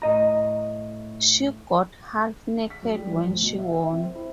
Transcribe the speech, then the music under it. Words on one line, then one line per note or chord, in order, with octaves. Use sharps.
She got half naked when she won.
A2 D#5 A#5
B6
F#2
G3
F3
D2
B2
E5
E5
C4
C5
E4